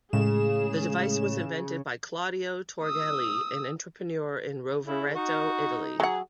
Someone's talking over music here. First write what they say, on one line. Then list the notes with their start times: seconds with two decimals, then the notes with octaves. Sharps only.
The device was invented by Claudio Torghele, an entrepreneur in Rovereto, Italy.
0.13 A2 C#3 G#3 G#4 E7
2.83 D#6 E6
4.86 C#3 E4
5.15 D#4 F#4
6.00 F#3 G#4 F#5